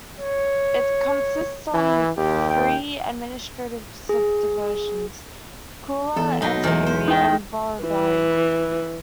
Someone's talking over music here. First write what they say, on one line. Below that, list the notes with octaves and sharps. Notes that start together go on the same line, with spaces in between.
It consists of three administrative subdivisions : Kurla, Andheri, and Borivali.
C#5
E3 E4
D#2 G4
G5
G#4
E2 A4
B1 F#3 D#4
E2 G#3
C5
D#4 G5
E3